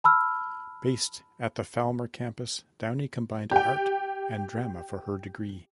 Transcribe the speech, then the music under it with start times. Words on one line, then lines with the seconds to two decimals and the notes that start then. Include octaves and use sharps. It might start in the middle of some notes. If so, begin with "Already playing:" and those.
Based at the Falmer campus Downey combined Art and Drama for her degree.
0.04 A5 B5 E6 F6
3.51 G4 G5